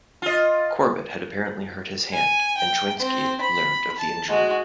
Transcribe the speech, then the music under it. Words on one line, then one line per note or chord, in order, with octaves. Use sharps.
Corbett had apparently hurt his hand, and Choynski learned of the injury.
F4 D#5
G#5
G5
C4
B5
A5
G#3 F#4